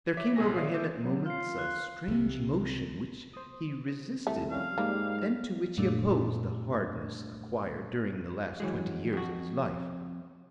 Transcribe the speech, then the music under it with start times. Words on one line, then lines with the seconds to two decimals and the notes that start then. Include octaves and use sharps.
There came over him at moments a strange emotion which he resisted and to which he opposed the hardness acquired during the last twenty years of his life.
0.17 C#5 E5 D6 B6
0.36 A#1 C3 G3 G#4 G#5 A#6
0.56 C#5 D5 E5 F5 D#6 C7
0.73 A4 E5 D6 G6
1.04 F#3
1.26 F4 F6 C7
1.59 F#6
2.08 C2 C3
3.34 C5 D#6
4.27 C2 A3
4.50 F3 G3 C#4 F5
4.78 G#2 G3 A#3
5.77 F#2 A#2 G3 A3 D4
8.60 E3 F#3 G#3
9.13 F2 F#4